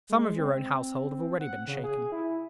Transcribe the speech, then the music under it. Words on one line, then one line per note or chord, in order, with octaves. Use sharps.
Some of your own household have already been shaken.
G#3
C4
F#5
C#3
G#4
E4